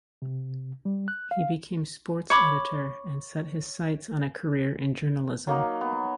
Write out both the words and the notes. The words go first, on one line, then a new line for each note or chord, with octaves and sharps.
He became sports editor and set his sights on a career in journalism.
C3
G3
F#6
F5
C#5 B5 D6
F#3 A#3 D#4
B3